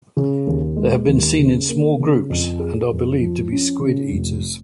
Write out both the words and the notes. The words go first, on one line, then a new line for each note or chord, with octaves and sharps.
They have been seen in small groups, and are believed to be squid eaters.
C#3
D#2
G#3
D#2
C#3
A#3
C#3
F2
G#4
F2
F3
C#4
C#3
F1